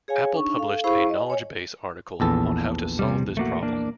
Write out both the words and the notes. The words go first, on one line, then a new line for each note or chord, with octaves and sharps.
Apple published a knowledge base article on how to solve this problem.
G#4 C#5 F5 G#5
D4 D#4 C#6
A4 F5
E4 G#4 C5 F5 B5 C#6
D#5
C#5 G#5
A#1 E2 A4
C3 G3
A3 A#3 F#4
A#3 D4